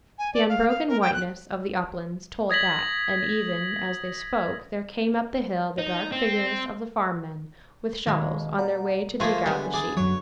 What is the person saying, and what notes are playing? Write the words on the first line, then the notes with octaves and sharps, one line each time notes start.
The unbroken whiteness of the uplands told that, and, even as they spoke, there came up the hill the dark figures of the farm men with shovels, on their way to dig out the sheep.
G#5
D5
F5
F5
A#4
G5
F#6
D#6 G#6 A#6 B6 F#7
D#4
C4
B2 D#3 G#3 A#3
D5 F#5 A#5
F3 A3 A#3 G#4 C6
D3 G3 B3 G#5
G#4 D5
F#2 F#3 C#5